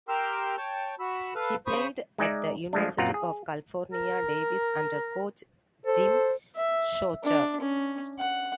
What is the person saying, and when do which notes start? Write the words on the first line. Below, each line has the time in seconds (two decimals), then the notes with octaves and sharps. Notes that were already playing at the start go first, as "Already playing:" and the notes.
He played at the University of California, Davis under coach Jim Sochor.
0.09 G4 A#4 G5 C6 E6 F6
0.57 C#5 G5 A5
1.00 F#4 B5 E6
1.35 A4 B4 F5
1.67 C#3 C5 B5 C#6 D#6
2.18 G#3 D#4 D5 E5
2.73 F3 G#3 A3 D4
2.98 F#2 A#2 C4 F4 F#5 A#5
3.14 G#4
3.92 A#4
5.86 A4 C5
6.56 E5
7.24 D4
7.61 C#4
8.19 F#5